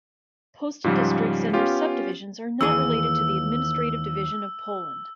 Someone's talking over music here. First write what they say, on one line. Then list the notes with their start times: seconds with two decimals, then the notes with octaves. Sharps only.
Postal districts and their subdivisions are not related to the administrative division of Poland.
0.84 G#2 C#3 F3 G3
1.53 B3 C#4 F4 G4
2.61 D#2 E3 G#4 E6